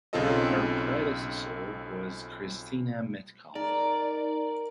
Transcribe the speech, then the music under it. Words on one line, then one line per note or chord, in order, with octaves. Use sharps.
Her predecessor was Christina Metcalf.
B1 C#3 C4 F4 A4 D#5
D#4 A#4 D5